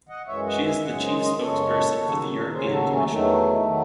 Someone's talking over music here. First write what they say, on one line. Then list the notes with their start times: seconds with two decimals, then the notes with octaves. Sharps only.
She is the chief spokesperson for the European Commission.
0.09 D#5 F#5
0.27 F#2 E3 G#3 C#5 E5
0.46 D#5 F#5
0.65 E5 G#5
0.84 F#2 C#3 G#3 D#5 F#5
1.03 C5 D#5
1.21 C5 D#5
1.40 F#2 C#3 G#3 A4 C#5
1.96 D#2 C#3 F#3
2.53 D#2 C#3 F#3 G#4 C5
2.72 F#4 A4
2.91 A3 C#4
3.09 E2 D#3 F#3 A3
3.65 D#3 F#3